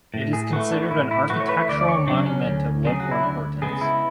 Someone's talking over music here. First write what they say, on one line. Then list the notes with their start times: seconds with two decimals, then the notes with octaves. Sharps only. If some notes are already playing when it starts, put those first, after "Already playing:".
It is considered an architectural monument of local importance.
0.14 A2
0.33 G#4
0.52 E3 F#4
0.56 A3
0.72 D4
0.84 F#4
0.91 A2 E4
1.11 E4
1.29 E3 F#4
1.33 A3
1.40 C#5
1.49 B4
1.62 E5
1.69 D2 D5
1.81 D5
1.88 C#5
2.07 C#3 F#3 D4
2.18 D4
2.26 C#4
2.45 D2
2.85 C#3 F#3 G#4
3.00 F#4
3.11 E4
3.23 D2 D4
3.62 C#3 G#3 B3 G#4
3.81 E4